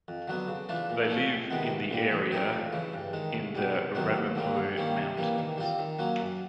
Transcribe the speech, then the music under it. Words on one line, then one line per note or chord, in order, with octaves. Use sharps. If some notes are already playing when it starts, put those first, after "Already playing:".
They live in the area in the Ramapo Mountains.
F2
D3 F#3 B3
C#3
E3 A3 D4 F4
A#2
F3 A3 C#4
C#2
C3 D#3 G#3 B3
C2
A#2 G3
E3
A3 C4 D#4 G4
F2
C#3 E3
G2
D#3 G#3
C2
B2 G3
C2
C3 D#3 F#3 B3
D#2
D3 G3 A#3
G2
D#3 G3 A#3 C#4
C3
E3 G3 A#3
D#3
G3 C4 F4
D#3
F#3 A#3 C#4
F#2